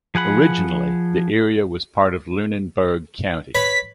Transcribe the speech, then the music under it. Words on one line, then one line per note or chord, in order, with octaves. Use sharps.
Originally the area was part of Lunenburg County.
F3 G#4 F#5 B5
B4 C#5 B5 B6